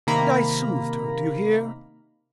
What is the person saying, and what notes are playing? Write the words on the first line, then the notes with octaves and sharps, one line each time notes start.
And I soothed her, do you hear?
C3 D#3 A#3 A#5 B5